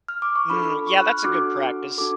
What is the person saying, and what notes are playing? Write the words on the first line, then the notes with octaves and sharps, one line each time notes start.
Mm, yeah, that's a good practice.
F6
D6
C#6
D4 F4 A4 B5
C#6
F#6
F6
D4 F#4 A4 D6
D4 F#4 A4 D6